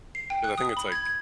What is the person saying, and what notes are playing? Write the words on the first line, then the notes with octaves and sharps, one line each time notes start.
'cause I think it's like
C7
G5
F#6
D#6
B5
G#6
G#6